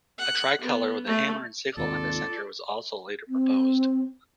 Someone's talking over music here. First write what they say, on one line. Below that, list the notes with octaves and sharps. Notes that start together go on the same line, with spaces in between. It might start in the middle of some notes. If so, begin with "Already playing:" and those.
A tricolor with the hammer and sickle on the centre was also later proposed.
F#5
B3
A3
D#2 G#2 C3 F4 A4 D5
C4